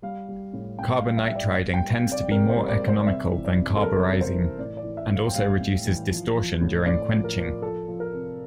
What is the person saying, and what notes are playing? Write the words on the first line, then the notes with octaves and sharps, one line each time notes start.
Carbonitriding tends to be more economical than carburizing, and also reduces distortion during quenching.
G3 F5
G3
A2
A2 G5
F5
G3
E5
G3 E5
D5
G3
G5
G3
F5
C3
D5
C3 A#4
C5
G3
D5
G3
C5
D5
C3 E5
E3
D5
C3
A4
G3 A#4
C3
C5
E3
A2 D5
D5
E3
E5
A2
F5
G5
G3 F5
A2
E3
F3
F3
A2
A2 D5
F3
A#4
F3
F3 A4
F3
A#4
C3